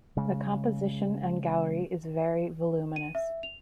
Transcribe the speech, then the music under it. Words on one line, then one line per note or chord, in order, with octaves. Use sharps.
The composition in Gauri is very voluminous.
C#3 G#3
D#7
E5
F7